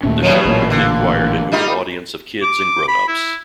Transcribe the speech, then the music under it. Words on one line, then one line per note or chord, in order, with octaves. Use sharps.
The show quickly acquired a dual audience of kids and grownups.
D#2 A#2 A3 C#4
E2 B2 F3 F#3
A1 A#2 F#3
D3 A#3
G3 D#4 F4
D6
B5
E4